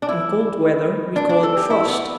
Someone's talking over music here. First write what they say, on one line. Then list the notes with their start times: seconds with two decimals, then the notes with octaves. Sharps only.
In cold weather we call it frost.
0.02 D4
0.09 E4
1.16 D4
1.29 D4
1.43 A4
1.57 G4
1.70 E4
1.88 B3